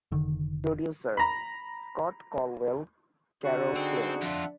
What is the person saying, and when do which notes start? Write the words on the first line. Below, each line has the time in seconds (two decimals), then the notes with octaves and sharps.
Producer: Scott Colwell, Carol Klein.
0.12 F1 D3 D#3
1.17 A#5 B5
3.45 D3 F#4
3.76 C4 D#4 G#4
4.21 F2 D4 F4 E5 F#5